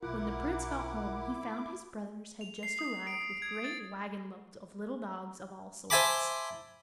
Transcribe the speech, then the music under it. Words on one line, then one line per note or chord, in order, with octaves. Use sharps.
When the Prince got home he found his brothers had just arrived with great waggon-loads of little dogs of all sorts.
B1 E4 F4 A#4 F#5 D6
F7
C7
D#6
D7
G#6
A6
C5 E5 G#5 A5 B5 D6